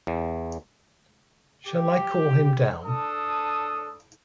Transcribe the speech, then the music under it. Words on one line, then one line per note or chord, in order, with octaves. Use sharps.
Shall I call him down?
E2
G4
D4 A4 D#6